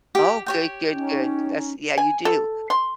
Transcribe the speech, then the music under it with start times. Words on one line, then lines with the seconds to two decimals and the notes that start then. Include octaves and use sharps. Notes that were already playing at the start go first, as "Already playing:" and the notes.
Oh, good, good, good. That's yeah, you do.
0.15 G4
0.46 G4 C#5 G5
0.93 C#4 D#4
1.98 G#5
2.25 A4
2.70 C6